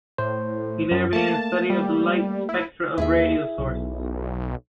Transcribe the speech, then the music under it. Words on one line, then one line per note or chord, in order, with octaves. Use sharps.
He later began a study of the light spectra of radio sources.
A2 C5
F#2
A3 A#3 A5
G3
E4
D#2 E4 G#4 E5
B1